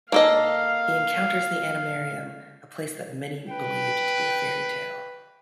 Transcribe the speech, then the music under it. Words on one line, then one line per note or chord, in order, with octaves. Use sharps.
He encounters the Animarium, a place that many believed to be a fairy tale.
A#3 A4 D#5 F5
B4 G5